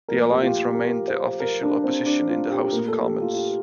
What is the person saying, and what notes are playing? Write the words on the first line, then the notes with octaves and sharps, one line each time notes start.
The Alliance remained the Official Opposition in the House of Commons.
A#2 F3 A3 A#4
G4
F4
A#4
C5
A#4
D4
C4
D4
F4
G4
A#2 A3 A#4
A4
G4
F4
F4
G4